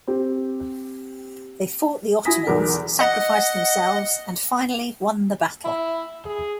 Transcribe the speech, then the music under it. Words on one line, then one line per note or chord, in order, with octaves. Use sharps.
They fought the Ottomans, sacrificed themselves and, finally, won the battle.
C4 G4
E4 F#4 G#5 D#6 A#6 B6
B1 E2 A#4
D#5 F#5
E4
G#4